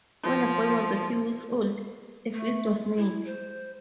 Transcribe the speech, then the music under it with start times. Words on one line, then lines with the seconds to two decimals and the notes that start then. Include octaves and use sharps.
When a boy was a few weeks old, a feast was made.
0.23 F3
2.34 A3
2.97 E4
3.26 C5